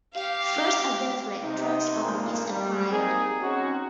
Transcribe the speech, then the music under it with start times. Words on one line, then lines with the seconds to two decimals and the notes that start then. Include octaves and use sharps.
First a wavelet transform is applied.
0.15 G4 F5
1.43 C3 D#4
2.04 G2 A#2 D#3 F3 A#3 C4
2.50 G3
2.92 A#3 C4 D#4 G#4
3.42 C4 C#4 D#4 F#4